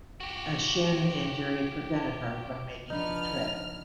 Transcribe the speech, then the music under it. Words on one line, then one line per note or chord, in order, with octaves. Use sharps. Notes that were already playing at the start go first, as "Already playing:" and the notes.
A shin injury prevented her from making the trip.
F#4 G4
C#3 F3 B3 D4 D#4 B5 F6